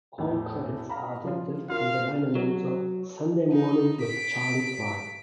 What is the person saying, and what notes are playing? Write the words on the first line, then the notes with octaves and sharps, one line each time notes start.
All credits are adapted from the liner notes of "Sunday Morning with Charley Pride".
E2 A2
F5 A#5 B5
F3 F4
F4 A#4 F5
F#3
D#4
B6 D7